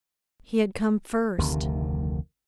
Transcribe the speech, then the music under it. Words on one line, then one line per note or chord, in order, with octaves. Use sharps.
He had come first!
F1 D2 C3 D#3